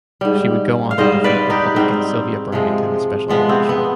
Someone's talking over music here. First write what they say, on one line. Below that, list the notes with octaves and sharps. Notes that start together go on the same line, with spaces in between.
She would go on and defeat Republican Sylvia Bryant in the special election.
G#2 G3
F5
G#2 G3 C5 D#5
B4 D5
D#4 G4
G#2 G3 C4
C3 F3 G#3
C3 F3 G#3 B3
C4
B3